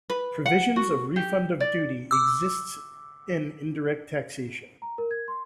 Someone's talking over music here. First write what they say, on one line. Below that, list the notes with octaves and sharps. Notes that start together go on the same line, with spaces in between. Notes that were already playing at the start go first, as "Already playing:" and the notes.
Provisions of refund of duty exists in indirect taxation.
B4
F#5
F#4
G4
D5
D6 E6
A#5
A#4
G#6
C6